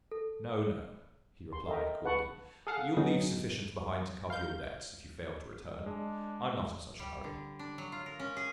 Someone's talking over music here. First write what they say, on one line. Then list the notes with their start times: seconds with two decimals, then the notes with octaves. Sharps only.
'No, no,' he replied, coolly; 'you'll leave sufficient behind to cover your debts, if you fail to return: I'm not in such a hurry.
0.12 A4
1.53 C6
1.67 A4 A#4 D#5 E5 G5 A#5
2.04 G#4 B4 F#5 A5 C#6
2.67 G#4 A4 F5 F#5
2.97 D3 F#3 B3 D#4 G#4
4.30 F5 G6
5.86 G#3 D4
6.99 G3
7.24 D3
7.59 D4
7.78 F#3
7.92 F4
8.06 A#4
8.20 C#4
8.37 G#4